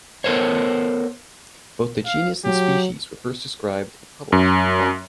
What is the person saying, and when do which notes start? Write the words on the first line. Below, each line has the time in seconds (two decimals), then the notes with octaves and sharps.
Both the genus and species were first described and published in Bot.
0.24 B3 A4 A#4 C5 C#5
2.06 F5
2.45 F#3 G4
4.32 F#2